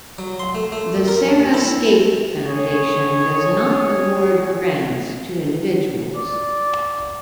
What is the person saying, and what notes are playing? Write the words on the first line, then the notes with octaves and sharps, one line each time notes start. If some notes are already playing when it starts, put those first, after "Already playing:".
The Sarah Scaife Foundation does not award grants to individuals.
F#3
C6
A3
A3
F#2
A#4
D#2
E4
G#4 C#5
D5